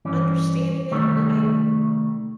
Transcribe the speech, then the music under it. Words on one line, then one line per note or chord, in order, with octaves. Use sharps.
Understanding it and I
G2 E3 C#4
C2 D#3 G3 A3